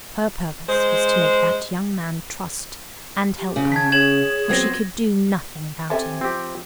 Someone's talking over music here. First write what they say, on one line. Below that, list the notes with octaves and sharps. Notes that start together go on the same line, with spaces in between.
Her purpose was to make that young man trust and help her, for she could do nothing without him.
G#3 C5
G4
C#3
C#4 A5 G#6 B6
G#4 C#5 G#6 E7 F#7
F#3 B3 C4 G#6 A#6
C4 G4 A4 E5 G#5
F3 C4 G4